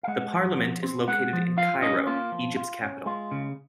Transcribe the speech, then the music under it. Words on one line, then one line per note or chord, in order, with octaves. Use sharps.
The Parliament is located in Cairo, Egypt's capital.
F5
G#3 F#5
F3
F3
C4
G#3 F#5
F3
F4 F5
C#4 D#5
A#3 F4
F3
F4
C#4
G#3 F4
C#3